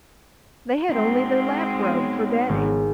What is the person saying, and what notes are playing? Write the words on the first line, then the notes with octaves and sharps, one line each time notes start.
They had only their lap-robe for bedding.
G#3 C4 D#4 F#4
B3 C#5
G#1